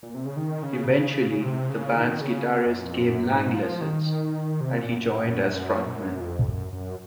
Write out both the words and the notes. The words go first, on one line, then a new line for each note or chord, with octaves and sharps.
Eventually, the band's guitarist gave Lang lessons, and he joined as frontman.
A#2
C3
C#3
D#3
C#3
C#3
C3
C#3
D#3
C#3
C3
F#2
F2
F#2
G#2
F3
D#3
C3
A#2
F#2
F2
F#2
F#2